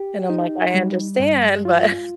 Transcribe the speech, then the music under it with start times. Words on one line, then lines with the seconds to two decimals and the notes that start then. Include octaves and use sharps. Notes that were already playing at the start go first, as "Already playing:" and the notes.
And I'm like, "I understand, but"
Already playing: G4
0.30 D#4
0.74 G3
1.20 G2
1.65 F4